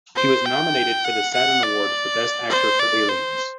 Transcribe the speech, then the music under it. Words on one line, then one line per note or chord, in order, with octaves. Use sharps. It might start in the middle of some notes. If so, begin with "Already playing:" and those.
He was nominated for the Saturn Award for Best Actor for Aliens.
C5
G5
F#5
F#5
D5
C5
D5
C5